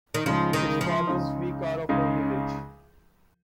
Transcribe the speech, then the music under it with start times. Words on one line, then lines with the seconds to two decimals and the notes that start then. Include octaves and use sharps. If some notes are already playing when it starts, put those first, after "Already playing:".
His father's vicar of our village.
0.14 D#3
0.26 C#2 C#3 F3 G#3 D#4
0.53 D#3
0.81 F3
1.07 C#2 C#3 G#3 D#4
1.89 C#2 C#3 G#3 D#4